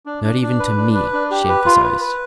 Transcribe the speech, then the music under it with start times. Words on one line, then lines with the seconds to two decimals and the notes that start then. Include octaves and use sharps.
"Not even to me," she emphasized.
0.06 D4
0.24 D4
0.42 D4
0.60 B4
0.77 D4
0.95 B4
1.13 D4
1.31 G4
1.49 B4
1.66 F4
1.84 B4
2.01 B4